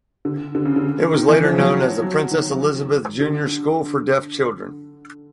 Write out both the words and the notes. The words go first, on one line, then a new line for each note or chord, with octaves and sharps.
It was later known as the Princess Elizabeth Junior School for Deaf Children.
D3
D3
C#3
D3
D#3
E3
F3
F#3
F#3
D#3
D3